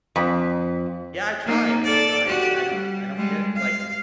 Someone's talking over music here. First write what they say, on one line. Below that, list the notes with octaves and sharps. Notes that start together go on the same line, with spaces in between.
Yeah, I try, and it just I just I don't I don't get it, like,
F2
A#3 D#4
A4 D5
F#4 G4
G3
G3 G#3
F5